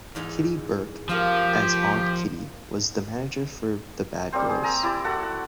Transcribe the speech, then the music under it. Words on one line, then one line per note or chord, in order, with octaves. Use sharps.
Kitty Burke as Aunt Kitty, was the manager for the Bad Girls.
E2 G#2 D#4
F3 A#3 C4 F4 G4
G3 A#3 C4 C5
G#4
G5 G#5 A#5 E6
E4 G4 D5 E6
F#4 A4 F#5
F#5